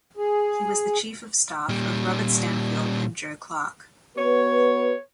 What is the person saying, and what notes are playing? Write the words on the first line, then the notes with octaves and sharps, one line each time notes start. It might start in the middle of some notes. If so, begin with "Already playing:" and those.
He was the chief of staff of Robert Stanfield and Joe Clark.
G#4
A#2 G3
B3 F#4 B4 C#5